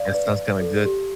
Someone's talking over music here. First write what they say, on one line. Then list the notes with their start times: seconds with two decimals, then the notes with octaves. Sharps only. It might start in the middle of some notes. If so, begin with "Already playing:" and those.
That sounds kinda good.
Already playing: D5 F5
0.14 B4 D5
0.61 A4
0.85 G4